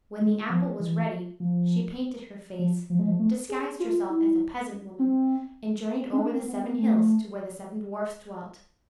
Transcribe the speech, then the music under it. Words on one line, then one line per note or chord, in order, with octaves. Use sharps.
When the apple was ready, she painted her face, disguised herself as a peasant-woman, and journeyed over the seven hills to where the seven dwarfs dwelt.
G#3
F3
E3
F3
F3
F3
G#3
F3
A3
G#4
F4
E4
C4
C4
D4
C4
B3
B3
A3